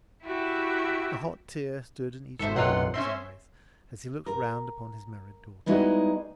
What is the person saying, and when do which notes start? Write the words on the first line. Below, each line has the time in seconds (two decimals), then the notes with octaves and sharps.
A hot tear stood in each of the warden's eyes as he looked round upon his married daughter.
0.24 E4 F#4 G4 E5
2.39 G#1 A4 C5 E5
2.55 B1 F#2 C3 F4 F#5 C6
2.94 C4 C#4 E5 C6
4.26 A#4
5.66 G3 G#3 B3 D#4 E4 F#4